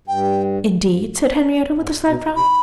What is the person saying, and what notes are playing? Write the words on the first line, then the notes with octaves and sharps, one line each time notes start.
"Indeed?" said Henriette, with a slight frown.
G2 G5
G#2
B2
C3 B5